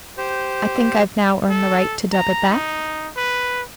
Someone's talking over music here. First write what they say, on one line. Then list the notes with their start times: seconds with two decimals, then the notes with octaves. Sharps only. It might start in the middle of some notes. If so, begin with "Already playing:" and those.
I think I've now earned the right to dub it that.
0.18 G4 C5
1.50 A4
2.12 A#5
2.50 D#4
3.17 B4